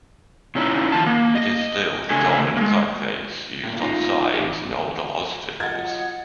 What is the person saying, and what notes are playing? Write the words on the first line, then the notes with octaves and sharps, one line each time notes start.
It is still the dominant typeface used on signs in older hospitals.
A#2 C#4 D#4 E4
D#3 F3 A5
A#3
D#5
C#3 A3 D4 A4 G#5
G#3 A#3
A2 A#3
D#4 F4
A3 G4
F#3 F4 D#5 F#5 G#6 A6